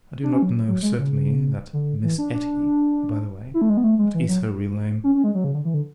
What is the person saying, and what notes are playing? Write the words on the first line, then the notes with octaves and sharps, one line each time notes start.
I do not know certainly that Miss Etty--By the way, what is her real name?
D4
C#4
F#3
F#3
G#3
C#3
D3
E3
D4
D4
E4
A3
G#3
B3
A3
G#3
E3
F#3
C#4
C#4
G#3
F#3
C#3
D3
E3
D3